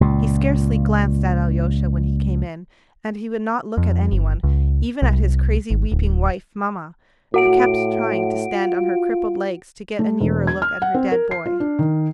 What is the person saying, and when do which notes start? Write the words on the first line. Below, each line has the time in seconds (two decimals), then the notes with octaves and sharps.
He scarcely glanced at Alyosha when he came in, and he would not look at any one, even at his crazy weeping wife, "mamma," who kept trying to stand on her crippled legs to get a nearer look at her dead boy.
0.01 C#2 A#2
3.77 F2
4.12 G1
4.43 C#2
5.02 C2
5.70 G#1
5.92 D1
7.34 A2 F#4 F#5 D7
8.53 F4
9.99 A3
10.21 E1
10.47 G#6
10.62 F6
10.82 F#5
10.95 C4
11.12 A#4
11.31 C7
11.46 F4
11.60 D4
11.79 D#3